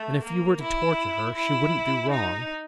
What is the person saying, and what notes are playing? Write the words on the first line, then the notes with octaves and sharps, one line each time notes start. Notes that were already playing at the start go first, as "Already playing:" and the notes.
And if you were to torture her, she wouldn't do wrong.
Already playing: A3
A#3
E4
E4
D#4